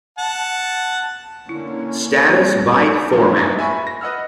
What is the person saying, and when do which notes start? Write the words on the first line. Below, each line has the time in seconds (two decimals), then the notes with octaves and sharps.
Status byte format.
0.18 F#5 A5
1.49 D3 A#3 C#4 E4
2.28 G3 A#3 C4 G4
3.12 C3 D#3 F3 F#3 B3 F4
3.36 G2 G#3 A#3 D#4 E4 F#4
3.59 E5 G#5 B5 C#6
3.87 A#6
4.01 B4 D#5 F#5 E6 F6